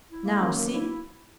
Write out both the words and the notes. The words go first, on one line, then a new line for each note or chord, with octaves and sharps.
Now, see!
E4
A#3
F#2 D#3
A#3
E4